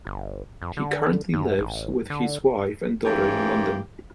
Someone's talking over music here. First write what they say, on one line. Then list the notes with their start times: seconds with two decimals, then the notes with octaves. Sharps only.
He currently lives with his wife and daughter in London.
0.07 G1
0.62 F2
0.77 D3
1.33 F#2
1.59 A1
2.10 D3
3.05 G#2 E3 A#3 C#4 G4